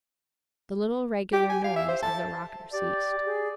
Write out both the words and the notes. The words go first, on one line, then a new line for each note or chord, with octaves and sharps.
The little regular noise of the rocker ceased.
G4
G#5
F5
E5
C5
A5
G4 D5
G#4